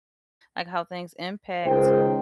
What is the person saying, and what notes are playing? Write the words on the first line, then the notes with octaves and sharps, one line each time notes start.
like how things impact.
C#2 D#3 C5 G5